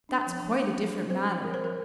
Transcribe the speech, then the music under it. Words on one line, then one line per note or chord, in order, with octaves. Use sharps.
"That's quite a different matter."
D4
F3
F3
D4
F3
D4
C4 C5
F3
F3 A#4
C5
F3 A#4